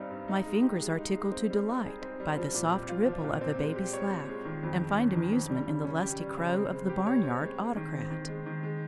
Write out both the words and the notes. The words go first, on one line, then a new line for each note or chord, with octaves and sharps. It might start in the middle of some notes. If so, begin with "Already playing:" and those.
My fingers are tickled to delight by the soft ripple of a baby's laugh, and find amusement in the lusty crow of the barnyard autocrat.
Already playing: G2 G3 C4 D#4
G2
D#4
G#3
G4
G#3
D#4
G#3
C4
G3
D#4
G#4
C4
G3
F3
A#2
C4
F4
F3
A#2
C4
G#3
G4
C#5
C4
G#3
D#3
F2
G#3
C#4
D#3
F2
G3
C#3
C#4
G4
G3
C#3
C4
G#3
G4
C#5
C4
G#3
G#3
D#3
C4
D#3
G#3
D#3
G#3